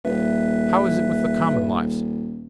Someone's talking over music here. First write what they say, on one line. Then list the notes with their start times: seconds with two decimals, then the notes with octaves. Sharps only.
How is it with the common lives?
0.05 D#1 B4 E5